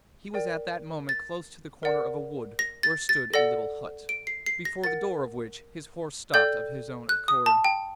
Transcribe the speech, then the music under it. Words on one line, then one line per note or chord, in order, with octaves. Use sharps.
He was at that moment close to the corner of a wood where stood a little hut, before the door of which his horse stopped of his own accord.
A#4 D5 G5
A6
A#4 D5 F#5
A#6
A6
A6
A4 D5 F#5 A#6
D7
C7
C7
A#6
A#4 F#5 A6
A4 D5 G5 G6
F#6
D#6
A5
G5